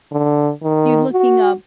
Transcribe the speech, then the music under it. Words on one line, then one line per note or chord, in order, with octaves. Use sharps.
you're looking up
D3
D#3
F#4